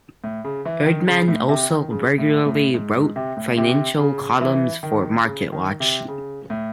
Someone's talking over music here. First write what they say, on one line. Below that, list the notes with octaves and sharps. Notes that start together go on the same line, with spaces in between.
Erdman also regularly wrote financial columns for Marketwatch.
A2
C#3
E3
D#3
C#3
A2
C3
D#3
C#3
A2
A2
G#2
G#2
C3
A2
C3
C#3
E3
D#3
C#3
D#3
C3
C#3
A2